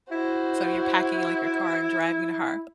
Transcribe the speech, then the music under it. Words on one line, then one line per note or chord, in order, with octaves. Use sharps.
So you're packing, like, your car and driving to her.
E4 F#4 C5